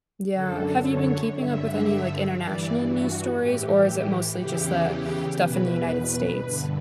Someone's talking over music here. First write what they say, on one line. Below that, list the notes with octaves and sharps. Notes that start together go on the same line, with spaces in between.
Yeah, have you been keeping up with any, like, international news stories, or is it mostly just the stuff in the United States?
F#2 D3 A4
C#5
G2 D3 E5
G2 E3 D5
F#4
A2 E3 G4
E2 C#3 E3 G4
G4
E2 B2 B4
G2 D3